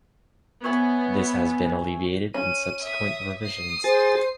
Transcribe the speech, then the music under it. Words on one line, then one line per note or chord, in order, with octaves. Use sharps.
This has been alleviated in subsequent revisions.
B3 C#5 E5 G#5
C#4 D#7
E5 D#6
D#6 C7
G#4 C5 A6